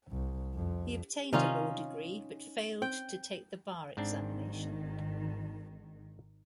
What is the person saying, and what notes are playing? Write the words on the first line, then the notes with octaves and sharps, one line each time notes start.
He obtained a law degree, but failed to take the bar examination.
C2
F2
C3 D#3 C#4 D#4 F4 D5
C4 G5
G#1 G#2 D#3 C4 D4